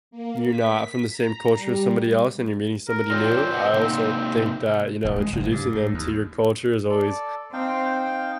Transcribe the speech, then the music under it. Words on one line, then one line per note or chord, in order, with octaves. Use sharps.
you're not from the same culture as somebody else and you're meeting somebody new, I also think that, you know, introducing them to your culture is always,
A#3
B6
A#5
G3
A#4
C4 F4 C#5 D5
B4 D#5 F#5
C3 A#3 D#4
D#1
G#3
F#1
G2
A2
D#2
A4 D5
C4 D#4 F5 G5